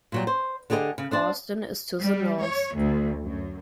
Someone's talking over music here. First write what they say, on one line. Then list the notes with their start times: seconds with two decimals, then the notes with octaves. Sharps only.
Austin is to the north.
0.12 A#2 F#3 G3
0.27 C5
0.70 D3 G4 G#4 B4 D#5
0.98 C#3
1.11 D4 C5 D5
2.01 G3
2.41 C#5
2.76 D2
3.23 F#2